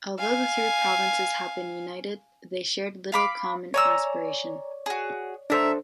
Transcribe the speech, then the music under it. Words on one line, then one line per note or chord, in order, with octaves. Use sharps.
Although the three provinces had been united, they shared little common aspiration.
F5 G#5
F5 B5 D6
C#5 D5 G#5 A#5 E6
F#4 G#4
D4 A4 A#4 C5 E5